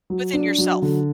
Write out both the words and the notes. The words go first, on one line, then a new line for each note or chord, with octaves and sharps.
Within yourself.
F#3
D4
F#3
D3